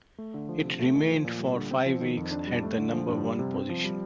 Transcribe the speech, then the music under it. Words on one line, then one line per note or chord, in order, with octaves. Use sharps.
It remained for five weeks at the number-one position.
A3
D3
F3
C3
A3
D#3
F3
A#2
G3
D3
C4
F3
D#3
F2
D4
G3
A3
D3
F3
G2
G3
C3
C4
F3
G3